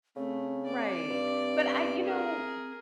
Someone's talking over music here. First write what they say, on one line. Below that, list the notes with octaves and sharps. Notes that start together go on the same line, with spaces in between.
Right. But I you know,
C#3 A3 C4
D5 D6
G2
G#4 A#4